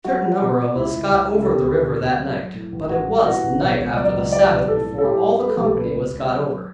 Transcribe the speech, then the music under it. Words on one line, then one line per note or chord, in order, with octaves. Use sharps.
A certain number of us got over the river that night, but it was the night after the Sabbath before all the company was got over.
F#3 F#4
F#3
B2
B2
C#2 E4
C#2
C#2
C#3
A4
D2 G4
D2
D3
D2
F#3
F#3
A2
A1
A2 F#4
G3
E3 F#4
A1
B2 C#5
C#2
F#3 D5
C#2
G3 D5
B1
A2 A4
A2
A4
A2 G4
G3
G3 B4
A4
B1 G4
A4
C#3 B4
C#2
C#2
F#3
F#3